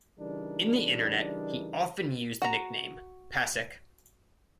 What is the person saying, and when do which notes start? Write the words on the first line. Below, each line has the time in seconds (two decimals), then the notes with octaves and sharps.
In the Internet he often used the nickname Pacek.
0.19 C#3 E3 G3 D4 D#4 A#4
2.42 F#4 A#5